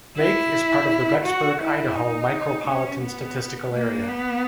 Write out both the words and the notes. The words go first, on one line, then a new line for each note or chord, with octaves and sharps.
Lake is part of the Rexburg, Idaho Micropolitan Statistical Area.
E4
F#4
E4
D#4
C#4
B3
A#3
B3